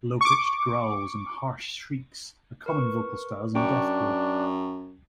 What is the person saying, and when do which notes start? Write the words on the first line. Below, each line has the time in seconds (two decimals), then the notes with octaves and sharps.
Low-pitched growls and harsh shrieks are common vocal styles in deathcore.
0.21 C#6 D6
2.66 A#4 B4 C#6
3.55 F#2 D4 G5 A5 C#6